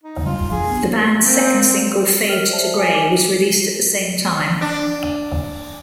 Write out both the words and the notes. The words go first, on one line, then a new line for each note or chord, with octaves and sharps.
The band's second single, "Fade to Grey", was released at the same time.
D#4
G3 D4 F4
D1 F#2
B1 F2 F3 G#4
A#3 B3
A#3 C4
A#4 C#5 G5 F6
C5 D5 E5 A5
G5 G#5
G#5 D6 D7
D4